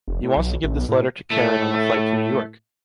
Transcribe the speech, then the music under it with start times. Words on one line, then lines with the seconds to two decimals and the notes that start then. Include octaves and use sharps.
He wants to give this letter to Karen on the flight to New York.
0.08 F1
0.23 A2
0.36 B1
0.64 A1
0.76 B1
0.89 A2
1.31 A2 A3